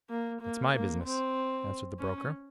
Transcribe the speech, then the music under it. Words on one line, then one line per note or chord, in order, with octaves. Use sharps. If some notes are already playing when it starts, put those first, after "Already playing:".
"That's my business," answered the broker.
A#3
A#3
A#3
C4
C#4